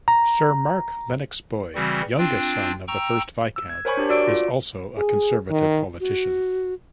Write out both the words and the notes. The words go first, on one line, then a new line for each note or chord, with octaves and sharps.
Sir Mark Lennox-Boyd, youngest son of the first Viscount, is also a Conservative politician.
A#5
C#3 E3 G3 C4 F#4
C4 D4 F4 G5
G5 A#5 C#6 E6
E6
G#6
A#4 C5 C#5 G#5 B5 C#6
D4 G4 A#4
F#4 D5 E6 D7
F4
G#4
D#3
F#4